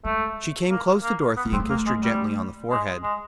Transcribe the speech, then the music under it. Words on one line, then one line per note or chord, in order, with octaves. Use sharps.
She came close to Dorothy and kissed her gently on the forehead.
G#3 A3
A#3
A#3
B3
A3
G#3 C4
A3
A#3
G#3
G3
G#3
G#3